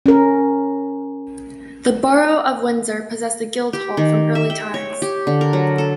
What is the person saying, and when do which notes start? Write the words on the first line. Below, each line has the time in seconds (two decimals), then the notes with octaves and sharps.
The Borough of Windsor possessed a guildhall from early times.
0.06 C#4 A#4
3.73 G4
3.97 D#3
4.35 E5
4.50 G5
4.74 C#5
5.02 G4
5.27 D3
5.41 A#4
5.53 F#3
5.78 A4